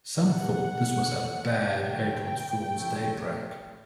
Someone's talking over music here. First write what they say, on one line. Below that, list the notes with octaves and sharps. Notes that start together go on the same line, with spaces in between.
Some thought this was a bad April Fool's Day prank.
A#2 G3 A#3 F#5
A2 E3 A3
D3 F#3 A3 G5
C#3 F3 A3